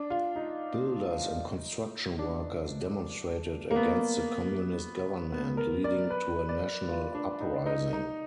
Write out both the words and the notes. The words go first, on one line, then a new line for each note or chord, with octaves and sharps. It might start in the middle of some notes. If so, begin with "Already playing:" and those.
Builders and construction workers demonstrated against the communist government, leading to a national uprising.
Already playing: D4
F4
D#4
D4
A#3
B3
B3
A#4
D5
B4
D5
F4
D4
D#4
D#4
D#4